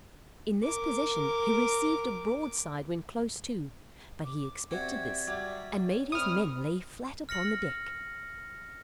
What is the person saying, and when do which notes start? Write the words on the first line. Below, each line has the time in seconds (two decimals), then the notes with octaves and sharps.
In this position he received a broadside when close too; but he expected this, and made his men lay flat upon the deck.
0.64 A#4 D6
4.25 D6
4.71 C4 F#4 G4 D5 E5 G#6
5.27 F#3 G3
5.84 C#5
6.12 C2 B5 C#6 D#6 F6
7.29 F6 A#6 C#7 F#7